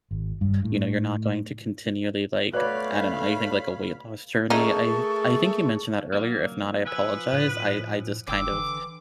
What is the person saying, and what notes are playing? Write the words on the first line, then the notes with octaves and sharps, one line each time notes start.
You know, you're not going to continually, like I don't know, I think, like, a weight loss journey. I th I think you mentioned that earlier, if not, I apologize. I I just kind of
G#1
G2
A2
A3 F#4 B4 C#5 D5 F5 B5 F#6
A3 C#4 D#4 G#4 A#4 A5 C#6
F#3 A#3
F3 B4 G#5 E6
A2
F#1 D3 G5 D6 E6
E3